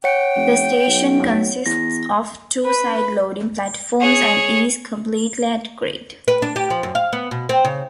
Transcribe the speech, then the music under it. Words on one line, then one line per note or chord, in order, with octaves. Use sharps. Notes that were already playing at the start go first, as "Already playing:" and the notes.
The station consists of two side-loading platforms and is completely at grade.
C#5 F#5 G5 C#7
F1
B1
E2 A#6
B4
G#4 C#5
B4
D4
G4
F3
F#2
F5
B3
B2
C4
C#3